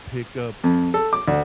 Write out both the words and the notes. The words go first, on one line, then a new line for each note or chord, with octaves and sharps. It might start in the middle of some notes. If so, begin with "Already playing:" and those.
pick up
F2
A4
D6
D2